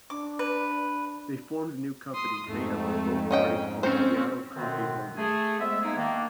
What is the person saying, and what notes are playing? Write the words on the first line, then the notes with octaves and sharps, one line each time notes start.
They formed a new company made up of both parties called Seattle Coffee Holdings.
D4 D6
B4
C6 D#6
F2 G#2 A3
C#4 D#5 G5
C4 C#4 C5
F#2 B2 D3 D#3 B3 C4
A3 G#4
F2 G#3 B3 E5
G#3 A#3 B3 D#4 G#4
D#3 A#3 D4